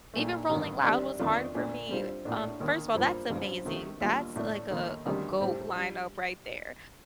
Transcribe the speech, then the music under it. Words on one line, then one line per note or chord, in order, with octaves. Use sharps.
Even Rolling Loud was hard for me, w um, first of all, that's amazing, that's, like, a a GOAT lineup right there.
A#1 A#2 A3
A1 G2 D#3
C3 D#3 G3 D4
F2 D#3 A3 D4 F4
A#2 A3 D4
C3 G3 C4 F4
A#1 A2 A3 D4
D#2 D#3 A#3
G2 F3 A#3
A1 G2 F3 C4 F4
C3 D#3 A3
D#2 D#3 G3 A#3 F4
A2 A3 D4
D#2 D#3 A3 D#4
D2 C3 D#3 G3
A2 G3 C4 G4
G3